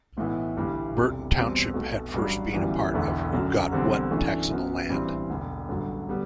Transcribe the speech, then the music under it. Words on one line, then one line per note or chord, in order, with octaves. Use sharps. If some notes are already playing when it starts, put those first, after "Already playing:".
Burton Township had first been a part of who got what taxable land.
B1 A2 E3 B3 E4
G1 G2 E3 G3
E1 D2 C3
E2 B2 G3 C4
B1 B2 A3
A1 G2 F#3
G1 F#2 E3 G3 B3
E1 E2 D3 A3 E4
F#2 D3 F#3
E1 E2 D3 G3 C4
F#2 E3 A3 D4
F#2 F#3 B3
A1 G2 E3 G3 C4
E1 D2 D3
A1 G2 D3 F#3
D3 G3 B3